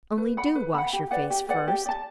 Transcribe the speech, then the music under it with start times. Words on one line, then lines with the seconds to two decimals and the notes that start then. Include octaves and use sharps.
Only do wash your face first.
0.18 B4
0.37 F#5 B5
0.55 B4
0.74 F#5 B5
0.93 G4
1.11 B4 D5 F#5
1.30 G4
1.49 B4 D5 F#5
1.68 G4
1.86 D5 A5